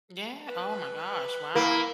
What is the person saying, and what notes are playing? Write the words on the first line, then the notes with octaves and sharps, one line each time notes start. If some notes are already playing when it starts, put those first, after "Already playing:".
Yeah, oh my gosh, wow.
B4
A#3 E4